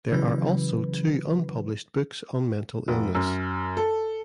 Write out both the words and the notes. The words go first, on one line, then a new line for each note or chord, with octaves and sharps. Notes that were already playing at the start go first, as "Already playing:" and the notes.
There are also two unpublished books on mental illness.
C#3 E3 F#3 B4
F1
F#2
A4